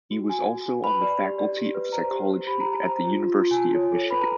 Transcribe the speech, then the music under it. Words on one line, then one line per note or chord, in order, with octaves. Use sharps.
He was also on the faculty of psychology at the University of Michigan.
F#4
F#4 G#5
F#4
F#4
B4 B5
D5
G4
D5
G4
B4
C5 A#5
G4
C5
G4 B5
G4 A#5
A5
C5 A#5
F4
F4
F4
G#5
F4 A5
C#5
A4
B4 B5
A#5